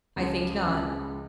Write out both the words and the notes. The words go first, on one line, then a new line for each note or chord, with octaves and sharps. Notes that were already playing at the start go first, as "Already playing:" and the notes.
"I think not."
C#2 C#3 F3 G#3
C#2 C#3 F3 G#3